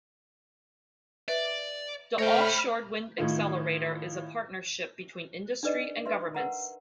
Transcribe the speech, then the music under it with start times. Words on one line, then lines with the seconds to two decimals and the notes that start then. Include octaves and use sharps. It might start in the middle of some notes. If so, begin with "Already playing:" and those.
The Offshore Wind Accelerator is a partnership between industry and governments.
1.28 B4 D5 E5
2.19 A3 C5 C#5 G5 B5 F6 A#6
3.18 A2 D#3 F4
5.63 D4 D#4 G#4 B4 D5 D#5
6.06 B4 E5 C6
6.35 A#4 B4 F#5 A#5